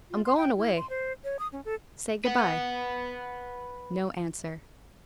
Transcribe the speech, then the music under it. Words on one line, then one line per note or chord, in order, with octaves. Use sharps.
I'm going away; say good-by.' No answer.
F4
C6
G5
E4
C6
C5
C#5
D#6
C#4
A4
B4 F#5